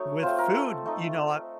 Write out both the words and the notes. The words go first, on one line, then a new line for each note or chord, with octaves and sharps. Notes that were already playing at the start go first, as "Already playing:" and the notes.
With food, you know I
Already playing: F#3 A3 D#4 C#5
A3 C4 F4 C5
A#4
A4
A3 D#4